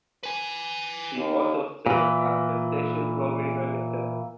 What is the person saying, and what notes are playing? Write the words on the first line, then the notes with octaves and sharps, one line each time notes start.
She also served as the station's program director.
B4 G#5
D#2
A#2 E3